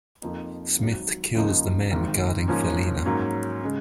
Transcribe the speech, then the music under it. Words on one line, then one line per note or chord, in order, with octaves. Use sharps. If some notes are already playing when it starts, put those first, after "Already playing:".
Smith kills the men guarding Felina.
F2 F3 A#3 D#4
G#1 G#2 F#3
D#2 C#3 F3 A#3 D#4
G#1 G#2 D#3
G#2 F3 A#3 C#4
G#2 F#3 A#3 C#4
C#3 G#3